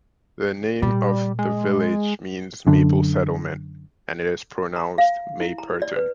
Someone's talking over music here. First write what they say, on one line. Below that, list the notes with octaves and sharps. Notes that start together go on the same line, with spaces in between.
The name of the village means "maple settlement" and is pronounced "Mayperton".
A#2 G3
G#3
F#2 D3
A#5
F5
E4
A#5
D5
B4